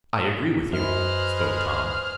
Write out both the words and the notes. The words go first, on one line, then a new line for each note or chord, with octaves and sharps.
"I agree with you," spoke Tom.
F#2 G#4 B4 C5 D#5 F6